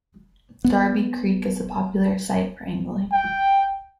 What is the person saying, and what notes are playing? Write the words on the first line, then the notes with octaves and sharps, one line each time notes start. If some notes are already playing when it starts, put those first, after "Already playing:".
Darby Creek is a popular site for angling.
B3
G5